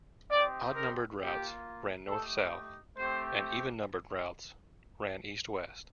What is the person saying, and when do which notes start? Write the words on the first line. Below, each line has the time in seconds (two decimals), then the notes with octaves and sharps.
Odd-numbered routes ran north-south and even-numbered routes ran east-west.
0.31 C4 D#4 G4 D5
0.76 A#4
1.21 A#3 F4 G4
2.09 A3 D#4 G4 A4
2.98 A3 C4 G4 C5